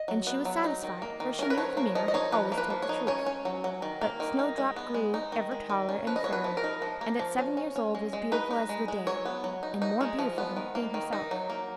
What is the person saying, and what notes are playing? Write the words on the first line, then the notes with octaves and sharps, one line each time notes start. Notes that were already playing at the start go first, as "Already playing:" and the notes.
And she was satisfied, for she knew the mirror always told the truth. But Snowdrop grew ever taller and fairer, and at seven years old was beautiful as the day, and more beautiful than the queen herself.
Already playing: D#5
F#3
B3
F#3
D#4
D#3
A#3
D#3
C#4 A#4
B4
F3 C#5
A#3 C#5
F3 D#5
D#5
D#4 C#5
F3 B4
A#3
B4
F3
C#5
D#4
C#4 C#5
C#4
F#3
F#3
D#3
A#3
D#3
D#4
G#3
B3
G#3
D#4
D#3
G#3
D#3
C#4
F3 B4
D#5
B3 C#5
B4
F3
A#4
D#4
F3
A#3
F3
C#4
C#4
C#4
G#3
G#3
D#4 B4
D#4
G#3
G#3
F#3 C#5
B3
F#3
D#4
D#4
G#3
F3
B3
D#3
A#3
D#3
D#4
F#3
A#3